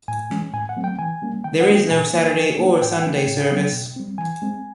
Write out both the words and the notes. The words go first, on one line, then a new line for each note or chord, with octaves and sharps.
There is no Saturday or Sunday service.
A2 G#5
E3 G#3 C#4
A2 G#5
F#5
F#3 A3 C4
G5
E3 G#5
G3 A#3 C#4
D#3 G5
F#5
G3 A#3 D4
G5
A#2 G#5
F3 A#3
F3
A#3 D4
A2 G5
F#5
F3 A3 C#4 G5
A2
F#3 B3 D4
B2
G3 C4
E3 G#5
G#3 C4